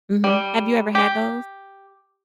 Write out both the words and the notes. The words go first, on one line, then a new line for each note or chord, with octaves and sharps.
Mhm, have you ever had those?
G3
G4